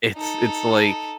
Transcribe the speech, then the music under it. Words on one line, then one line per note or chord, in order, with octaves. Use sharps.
it's it's, like,
D#4 A4